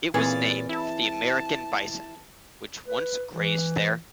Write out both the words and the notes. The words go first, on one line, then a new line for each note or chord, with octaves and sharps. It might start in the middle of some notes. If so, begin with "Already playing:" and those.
It was named for the American bison, which once grazed there.
A#2 E3 C4 C#4 G#4 A6
E4 A5
B4
E3